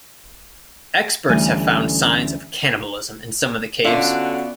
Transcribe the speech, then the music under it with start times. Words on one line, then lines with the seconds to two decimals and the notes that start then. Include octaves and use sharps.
Experts have found signs of cannibalism in some of the caves.
1.29 D2 E3 G3 A3 C#4 G#5
3.84 D3 B3 C#4 F4 F#4 D5 E5 F5